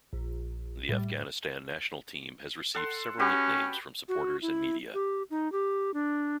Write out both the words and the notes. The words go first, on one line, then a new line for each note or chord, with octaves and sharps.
The Afghanistan national team has received several nicknames from supporters and media.
A#1
A2 G3
A4 F#5 C6
C#4 F#4 G4 B4
F#4
E4
G4
D#4
G4
D4